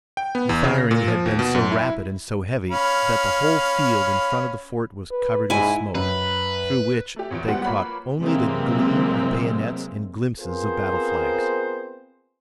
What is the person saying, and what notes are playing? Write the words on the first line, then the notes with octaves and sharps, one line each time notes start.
The firing had been so rapid and so heavy that the whole field in front of the fort was covered with smoke, through which they caught only the gleam of bayonets and glimpses of battle flags.
G5
B3
E2
C#3
A#6
A#2
F3
D#2
B2
F#2
E4
C#4 F5 B5
B4
G#2 E4 G#5
F#2 B4
A3 G4
A1 E2 F3 D7
G3 G#3 B3 G4 C5 F#5
A#3 F4 B4 C#5 B5
C3 E3 F#3 G#3 A#3 C4
B3 C4 F4 G#4 A#4 C5